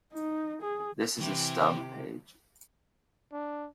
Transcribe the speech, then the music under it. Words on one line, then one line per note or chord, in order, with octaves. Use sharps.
This is a stub page.
D#4
G#4
C3 E3 G4
D4